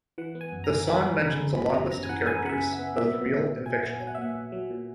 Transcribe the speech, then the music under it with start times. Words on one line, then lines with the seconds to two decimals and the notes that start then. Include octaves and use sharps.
The song mentions a long list of characters, both real and fictional.
0.18 E3 F#5
0.35 B3
0.41 G#5
0.52 F#2
0.64 A#5
0.70 E3
0.87 E3 B5
1.05 B3
1.21 C#3 A#5
1.39 C#3
1.56 F#2 B5
1.74 B3 A#5
1.91 F#2 A#5
2.03 G#5
2.09 E3 F#5
2.27 B3 G#5
2.44 C#3 F#5
2.49 E5
2.61 C#3
2.73 E5
2.79 B3
2.96 F#3 E5
3.13 B3
3.31 A#2
3.48 A#2
3.66 A#2 G#5
3.83 B3
4.00 F#3 G#5
4.07 F#5
4.15 E5
4.18 A#2 F#5
4.35 A#2
4.52 F#3
4.70 A#2